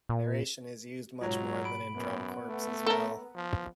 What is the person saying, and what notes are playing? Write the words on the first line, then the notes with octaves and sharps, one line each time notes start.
Narration is used much more than in Drum Corps as well.
A#2
G#2 B2 F#3 F4 C#5 A#5
B5 D7
F#2 B3
A3
A4 A#4
F3